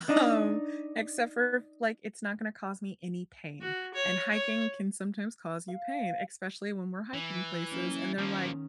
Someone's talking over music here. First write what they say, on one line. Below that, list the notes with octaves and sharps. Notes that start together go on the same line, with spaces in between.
um, except for f like, it's not gonna cause me any pain, and hiking can sometimes cause you pain, especially when we're hiking places, and they're like,
D4 D#4
F#4
C#5
C#5
F5
E3
F#3 A#3 C#4
D#3 F3 A#3 C#4